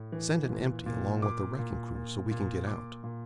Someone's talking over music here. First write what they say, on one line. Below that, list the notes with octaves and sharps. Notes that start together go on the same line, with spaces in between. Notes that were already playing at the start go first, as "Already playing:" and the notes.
Send an empty along with the wrecking crew so we can get out.
Already playing: A2
E3
A#2
A#2
A#2 D6
A#2
A#2
A#2
A#2 D6
A#2